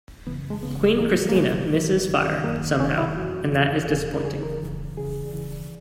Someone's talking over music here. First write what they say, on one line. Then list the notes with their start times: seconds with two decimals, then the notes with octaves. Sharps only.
"Queen Christina" misses fire, somehow, and that is disappointing.
0.26 F#2 C#3 E3 B3
0.50 G#3
0.62 C#2 C#3 E3 B3
0.99 G#2 E3 A#3
1.29 A#3
1.35 C#2 B2 G#3
1.71 G#2 E3
2.07 D#2 D#3
2.44 F#2 D#3 A#3
2.80 E2 D#3 C#4
2.98 E4
3.16 F#2 E3 F#4
3.52 E2 C#3 E3
3.88 E2 B2 G#4
4.14 A#4
4.25 E2 C#3 E3 G#4
4.43 A#4
4.61 F#2 C#3 E3
4.97 E2 C#3 E3 G#4
5.34 D#2 C#3 E3